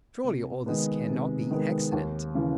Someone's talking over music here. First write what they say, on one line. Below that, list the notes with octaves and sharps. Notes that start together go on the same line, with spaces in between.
Surely all this cannot be accident!
C3
D#3 G#3 B3
C3
D#3 G#3 B3
D#2
C#3 E3